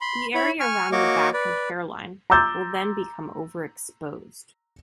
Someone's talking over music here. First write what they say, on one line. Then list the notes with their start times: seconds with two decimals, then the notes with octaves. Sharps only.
The area around the back and hairline will then become over-exposed.
0.01 B5 C6
0.35 E4 C#5 B5
0.60 G#5 C#6 F6
0.92 A#3 F#4 C#5 D#5 C#6 D6
1.34 B4 D5
2.30 A#5 C6 D6 E6 G6 A6